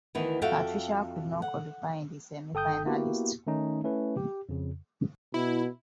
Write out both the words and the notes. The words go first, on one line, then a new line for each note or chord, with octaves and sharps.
Patricia could not qualify in the semifinalists group.
D2 D#3 E3 B3
F2 F#4 A4 E5 F5 G5
F#5
G1 A4 G5 D#6 G6
A#3 B3 E4 F#4 G4
D#3 A3 C#4 D#4
A3 C#4 E4 B4
G4
F2 C#3
B2 E4